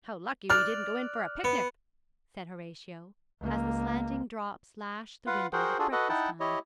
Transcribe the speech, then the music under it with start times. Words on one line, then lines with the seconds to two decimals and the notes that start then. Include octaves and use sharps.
'How lucky we didn't go in for a picnic!' said Horatio, as the slanting drops lashed the windows at breakfast time.
0.50 D5 F6 F#6
1.44 B3
3.40 C#2 A#3
5.27 F4 B4 F5 F#5
5.53 F#4 G#4 A#4 C5 F#5 G5
5.79 D4 F4 F#4 G#4 A4
5.92 F#4 A4 B4 D#5 F#5
6.09 D#4 E4 F#5 G5 A5
6.40 E4 G4 C#5 D#5